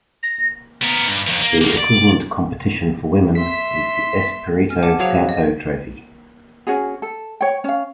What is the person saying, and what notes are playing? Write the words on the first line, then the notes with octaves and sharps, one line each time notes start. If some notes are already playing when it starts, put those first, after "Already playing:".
The equivalent competition for women is the Espirito Santo Trophy.
A#6
B3 A#4
G2
F2 D#3
A#3
D2 A#3
D5
E5 C6 B6
G#5 F6
F#5 A5 D6
F#3 G#4 C5 F5
D#5
C#4 F#4 G#4
A4
C#5 G5
C#4 F5